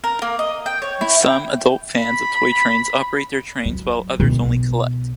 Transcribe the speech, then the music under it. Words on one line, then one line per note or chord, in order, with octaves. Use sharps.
Some adult fans of toy trains operate their trains, while others only collect.
A#4
A#3
D#5
G5
C#5
E4
G5
B5
F#3
B1